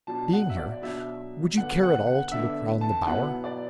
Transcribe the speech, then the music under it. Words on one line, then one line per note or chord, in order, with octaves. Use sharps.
Being here, would you care at all to look round the Bower?'
B2 F#3 D4 A5
F#5
E5
D5
B2 F#3 D4 E5
D3 B3 D4 F#5
F#5
F#5
D3 B3 D4 E5
A5
B2 F#3 B3 E4 F#5
D5